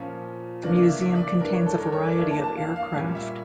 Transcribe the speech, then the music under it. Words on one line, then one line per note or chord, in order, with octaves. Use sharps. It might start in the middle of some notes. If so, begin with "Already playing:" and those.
The museum contains a variety of aircraft.
Already playing: A#2 F3 C#4
C#3 E3 A#3 D4 D5
E5
E5
D5
D5
E3 G3 D4 A#4
C#5
A4
A#4
C#5
D5
E3 A#3 D4 E5
A5
A5
F5
F5
A#2 G3 A#3 C#4
E5